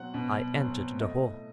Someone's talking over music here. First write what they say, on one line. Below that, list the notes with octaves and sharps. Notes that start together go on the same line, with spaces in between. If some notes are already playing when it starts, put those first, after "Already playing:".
I entered the hall.
Already playing: B2 F#3 C4 F#5
B2
F#3 C4
A2 D#5